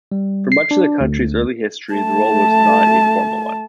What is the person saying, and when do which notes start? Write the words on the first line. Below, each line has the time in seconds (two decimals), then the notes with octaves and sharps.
For much of the country's early history, the role was not a formal one.
0.12 G3
0.52 C7
0.71 D4
1.00 D2
1.93 A3 A5